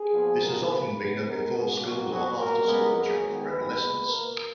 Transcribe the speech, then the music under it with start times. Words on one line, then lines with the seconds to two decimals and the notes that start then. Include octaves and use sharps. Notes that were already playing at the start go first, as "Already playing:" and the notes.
This has often been a before-school or after-school job for adolescents.
Already playing: G#4
0.11 A#2 F3 B3
0.40 A#2 F3 G#3 B3 A#4
0.68 C#3 F3 A#3 B4
0.96 C#3 G#3 B3
1.24 B2 G#3 B3 A#4
1.53 C#3 G#3 B3 F#4
1.80 A#2 F#3 A#3 F#4
2.10 A#2 F#3 B3 F#4
2.37 B2 A#3 A#4
2.66 C#3 G#3 B3
2.93 B2 F#3 A#3 G#4
3.23 D#3 G#3 B3
3.50 D#3 G#3 B3 B4
3.79 A#2 G#3 B3
4.07 B2 A#3 A#4